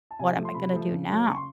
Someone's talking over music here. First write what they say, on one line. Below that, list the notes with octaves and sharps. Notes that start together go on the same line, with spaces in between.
"What am I gonna do now?"
A5
C3 G#5
F3 A3
C6
C3 B5
F3 A3
C#3
F#3 A3
C#3 C#6
C6